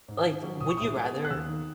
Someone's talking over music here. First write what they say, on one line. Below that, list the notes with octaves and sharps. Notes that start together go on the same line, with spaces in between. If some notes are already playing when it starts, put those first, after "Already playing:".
Like, would you rather
G#2
D#3
F#3
B1 D#6
C#6
A2 D#6
G#3
B3
F#6
D#2 E6
D#3